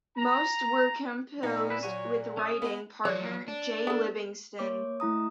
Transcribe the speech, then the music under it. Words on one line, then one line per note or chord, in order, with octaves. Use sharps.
Most were composed with writing partner Jay Livingston.
A#5
A#2 B3 D#4
E4 B4
F#3 F#4 C#5 D#7
C#4 G#5 D#6
B3 D#5
F3 F#3 C#5 D5
D4
B3 A4
A#3 C#5 D6
A3 E4 A#5 D#6